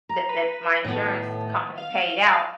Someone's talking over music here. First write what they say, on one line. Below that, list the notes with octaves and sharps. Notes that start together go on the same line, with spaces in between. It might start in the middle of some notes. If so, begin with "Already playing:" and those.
that that my insurance company paid out.
A#5
B4
A2 D#3 B3
F5